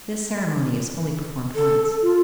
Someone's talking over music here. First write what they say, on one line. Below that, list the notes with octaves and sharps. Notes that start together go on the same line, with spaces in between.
This ceremony is only performed once.
A4
F4